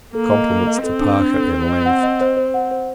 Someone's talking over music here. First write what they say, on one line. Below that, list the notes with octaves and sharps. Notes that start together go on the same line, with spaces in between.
Compliments to Parker and Langford.
A#3 A4
D#5
A4
D#5
C4 A4
D4
D4
A4
C5
D#5
F#5
D#5
C5
C5
F#5
C5